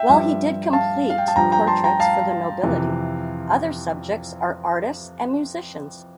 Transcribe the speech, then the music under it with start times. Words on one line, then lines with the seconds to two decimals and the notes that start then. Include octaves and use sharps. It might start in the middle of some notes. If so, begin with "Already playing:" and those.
While he did complete portraits for the nobility, other subjects are artists and musicians.
Already playing: E5 G5
0.09 G2 F3
0.73 F5 A5
1.10 F5
1.18 G5
1.28 A5
1.36 G2 F3 G5 A#5
1.52 G5 A#5
1.67 A5 C6
1.84 G5 A#5
2.00 F5 A5
2.63 F2 C3 E3